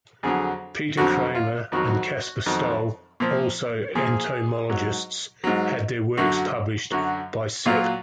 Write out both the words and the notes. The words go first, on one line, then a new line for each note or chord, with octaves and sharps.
Pieter Cramer and Caspar Stoll, also entomologists, had their works published by Sepp.
F2 D3 F#3 G#4
F2 D3 F#3 F#4
F4
F2 D#3 F#3 F#4
F2 D#3 F#3
A#2 F3
A#2 F3 G#4
G#2 F#3
G#2 F#3
F#2 D3 F#3 F#4
F#2 D3 F#3 F#4
A#2 F#3 F4